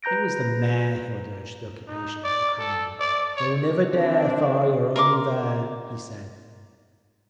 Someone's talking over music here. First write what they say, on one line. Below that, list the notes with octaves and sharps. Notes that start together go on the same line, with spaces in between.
It was the Mayor who had urged the occupation of the Kremlin; "They will never dare fire on you there," he said....
B4 A#5 G6 A#6 D7
D#4
D5
A4
D5
C#5
C4 D4
A#4 C6 D6